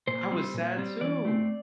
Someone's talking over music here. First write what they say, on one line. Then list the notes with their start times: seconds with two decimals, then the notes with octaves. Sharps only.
I was sad too!
0.07 A#2 C5
0.31 G3 C4
0.54 A#2
0.77 G3 C4
1.01 E3 D5
1.25 A3 C4